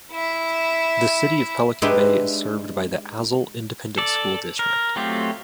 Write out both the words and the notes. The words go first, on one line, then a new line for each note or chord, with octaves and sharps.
The City of Pelican Bay is served by the Azle Independent School District.
E4 E5
G#3 D4 D#4 G4 B4 E5
A4 D5
A#4
F#3 A3 C4 F4 G4